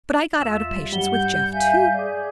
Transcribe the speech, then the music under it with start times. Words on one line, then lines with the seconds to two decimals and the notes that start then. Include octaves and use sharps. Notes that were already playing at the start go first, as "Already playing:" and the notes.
But I got out of patience with Jeff, too.
0.40 E2 F4 E5 E6 E7
0.71 G3
0.93 G2 G3 F#5 G7
1.13 G6
1.52 E5 F5 G#5
1.95 G#4 D5 D6